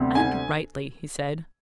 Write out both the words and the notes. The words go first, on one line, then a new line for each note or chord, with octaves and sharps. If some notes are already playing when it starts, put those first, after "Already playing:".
"And rightly," he said.
Already playing: D2 C3 G3 B3 D4
G#5